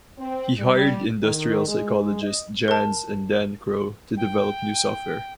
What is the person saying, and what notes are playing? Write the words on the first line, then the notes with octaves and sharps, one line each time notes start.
He hired industrial psychologist Janz and Dan Crow to develop new software.
C4
G3
D#3
G#3
D#5
A#4 A5
G5